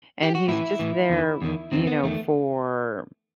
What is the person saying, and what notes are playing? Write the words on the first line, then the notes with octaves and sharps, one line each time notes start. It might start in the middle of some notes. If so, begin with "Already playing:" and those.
and he's just there, you know, for
G4
F#4
A2 E3 E4
A2 E3
E2 D#3
E2 D#3
E2 D#3 C4
B3
E2 D#3 A3